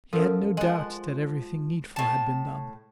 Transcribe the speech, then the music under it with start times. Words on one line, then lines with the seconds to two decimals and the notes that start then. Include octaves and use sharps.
He had no doubt that everything needful had been done.
0.13 F#2 F3 A4 A#4
0.57 F3 G#3 F#5
1.96 A2 A5